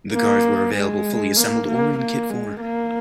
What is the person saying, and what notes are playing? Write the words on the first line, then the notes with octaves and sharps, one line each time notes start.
The cars were available fully assembled or in kit form.
A#3
G#3
A#3
A#3
A#3
G#3
A#3